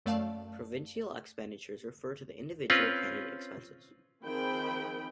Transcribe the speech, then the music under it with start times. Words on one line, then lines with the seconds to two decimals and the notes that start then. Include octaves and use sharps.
Provincial expenditures refer to individual candidate expenses.
0.06 F#2 A3 D5 F5 A5
2.70 C4 C#4 F4 B4
4.25 D#3 F3 C4 G#4 G5 B5